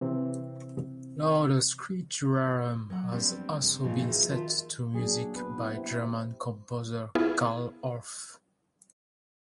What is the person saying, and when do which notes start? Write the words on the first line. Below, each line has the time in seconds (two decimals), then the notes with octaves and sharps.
Laudes Creaturarum has also been set to music by German composer Carl Orff.
0.01 C3 E3 C4
2.90 F#3 F#5
3.11 F3 G3 B3 C4 D4
3.61 C3
3.83 G2 A#2 C#3 F3 D#4
4.02 E3 F3 D#4 F#4 G#4
4.29 D#3 F4 E5 A5
4.94 F#3 A#3 D4 G#4
5.36 B3 B4
5.58 E4
5.76 C3
7.15 B3 E4 F4 G#4